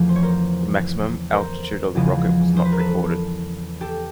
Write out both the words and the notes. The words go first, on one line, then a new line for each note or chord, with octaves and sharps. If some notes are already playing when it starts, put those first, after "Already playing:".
The maximum altitude of the rocket was not recorded.
Already playing: E2 C#3 F3 A3
C5
C#5
A#4 C5
A#4 C5
E2 C#3 F3 G#3
C5
B4
A#4
A4 B4
G4 A4